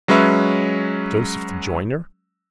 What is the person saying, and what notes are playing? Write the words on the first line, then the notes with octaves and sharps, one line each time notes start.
Joseph the Joiner?
F#3 G#3 C#4 B4 E5